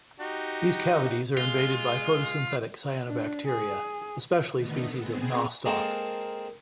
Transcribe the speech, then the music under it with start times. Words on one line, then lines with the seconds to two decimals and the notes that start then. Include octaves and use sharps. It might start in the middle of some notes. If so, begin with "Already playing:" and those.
These cavities are invaded by photosynthetic cyanobacteria, especially species of "Nostoc".
0.20 D#4 F#4 G4
1.37 G#3 F4
3.08 D4
3.47 G#4
4.53 D3 D#3 A3 B3 D#4
4.95 B3 C4 G#4
5.65 G#3 A#3 C4 A4